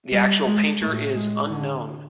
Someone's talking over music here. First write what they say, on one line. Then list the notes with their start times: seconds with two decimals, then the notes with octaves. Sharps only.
The actual painter is unknown.
0.12 G3
0.46 G#3
0.80 A2 A3
1.14 G#3
1.49 D3